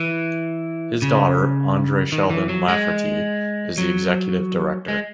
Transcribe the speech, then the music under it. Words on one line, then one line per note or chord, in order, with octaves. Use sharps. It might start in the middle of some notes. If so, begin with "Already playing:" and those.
His daughter, Andrea Sheldon Lafferty, is the executive director.
Already playing: E3
C#3
D#3
E3
F#3
G#3
F#3
G#3